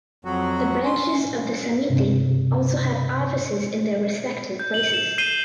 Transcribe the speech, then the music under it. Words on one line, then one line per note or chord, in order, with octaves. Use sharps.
The branches of the "samiti" also have offices in their respective places.
F2 F#3 F#4
C#4 C6
G2 C3
G6
F#7
E7
G6 C7 D#7 E7 G7